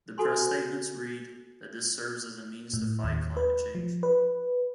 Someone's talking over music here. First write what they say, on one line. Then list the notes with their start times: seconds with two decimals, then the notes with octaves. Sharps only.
The press statements read, that this serves as a means to "fight climate change".
0.18 F#4 A4 G#5 B5 C6
2.73 A2
3.04 D#2
3.37 B4
3.75 F3
4.03 B4